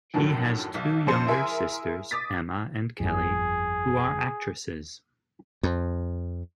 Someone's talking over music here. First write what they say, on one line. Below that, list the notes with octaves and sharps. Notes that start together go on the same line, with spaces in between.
He has two younger sisters, Emma and Kelly, who are actresses.
F#2 A2 D3 D#3 F3 F#3
B1
F2 C#3 C5 C#7
E4 G#4 A#4 E5 G#5 C6
D6 D#6 A6 B6
G1 F2 G#4
F2